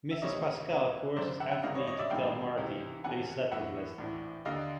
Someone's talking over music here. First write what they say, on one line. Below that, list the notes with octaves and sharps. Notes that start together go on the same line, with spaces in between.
Mrs. Pascal coerces Anthony to tell Marty that he slept with Lesly.
E5
D2 C3 D#3 C#5 D#5
C#2 B2
G#1 F#2 D3 C5 D5
E5 F#5
G5
E5 F#5
G#1 G2 D#3 D#5 F5
C#5 D#5
C#5 D#5
D5 E5
A1 G2 D#3 F5 G5
C#2 C3 E3
E1 E2 C3 D#3 F#5 G#5
B1 A2 E3 E5 F#5
A#1 A2 E3
D#2 D3 D#5 F5